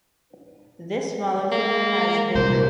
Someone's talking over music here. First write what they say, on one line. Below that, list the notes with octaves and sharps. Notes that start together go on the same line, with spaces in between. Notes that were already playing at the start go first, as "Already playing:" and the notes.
This molecule has been reported to have broad-spectrum antimicrobial activity that includes human pathogens.
G#3 A#3
C2 A#2 G3 A#4 C5